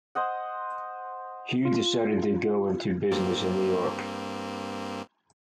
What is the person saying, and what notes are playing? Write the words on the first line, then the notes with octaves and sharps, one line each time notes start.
Hugh decided to go into business in New York.
C5 D#5 F#5
F4
G2 A#3 C4